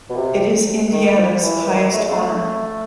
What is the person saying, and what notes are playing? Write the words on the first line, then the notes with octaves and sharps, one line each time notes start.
It is Indiana's highest honor.
B2
C3
D#3
F3
E3
D#3
A3
G#3
A3